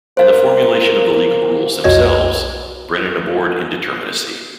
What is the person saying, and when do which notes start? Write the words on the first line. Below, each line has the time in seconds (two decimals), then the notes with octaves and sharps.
In the formulation of the legal rules themselves, Brennan abhorred indeterminacy.
0.17 A#3 C5 F5
1.84 B1 F2 F#4 C#5 D#5 G#6